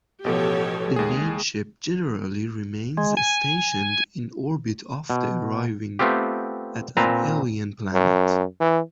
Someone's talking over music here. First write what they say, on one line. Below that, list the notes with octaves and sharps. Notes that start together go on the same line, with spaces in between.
The main ship generally remains stationed in orbit after arriving at an alien planet.
A1 B2 F3 G4 A4 C#5
D#2 G#3 G#4
G#3
G#5
B2
A3 B3 C4 F4 G4
A#2 C4 B4 A5 A#5
F#2
E3